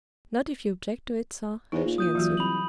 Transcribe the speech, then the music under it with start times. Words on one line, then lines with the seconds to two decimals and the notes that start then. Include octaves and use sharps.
"Not if you object to it, sir," she answered.
1.72 E2 D#4 G#4 C5
1.85 A#2
1.98 D#6 G6 D#7
2.15 E3 F#3 F#4
2.37 C2 B5 F#7